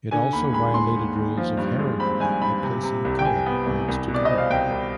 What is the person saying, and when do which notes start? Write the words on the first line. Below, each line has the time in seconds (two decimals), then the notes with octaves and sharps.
It also violated rules of heraldry by placing colour next to colour.
0.11 D3 G#5
0.33 D#2 B5
0.53 G#3 B5
0.74 G#3 C6
0.96 D#2
1.16 D#2
1.37 F3
1.57 G2
1.79 G#3
2.00 C4 B5
2.20 G2 G#5
2.41 G2 B5
2.63 C3
2.83 C3
3.05 C2
3.19 G5
3.24 C3 G#5
3.46 B3
3.66 C2
3.88 C2
4.08 B2
4.14 D5
4.25 C4 D#5
4.38 F5
4.50 C2 G5
4.70 C2